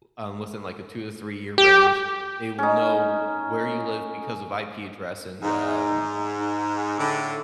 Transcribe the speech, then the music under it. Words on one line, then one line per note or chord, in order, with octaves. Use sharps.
um, within, like, a two to three-year range, they will know where you live because of IP address and, uh,
G4
C#4 D#4
G#2 D#4
D#4
A2 D3